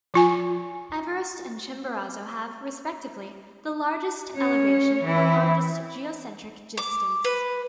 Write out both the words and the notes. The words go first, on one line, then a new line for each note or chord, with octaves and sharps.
Everest and Chimborazo have, respectively, the largest elevation and the largest geocentric distance.
F3 F4 G#5
C#4 C#5
E3 E4
D6
B4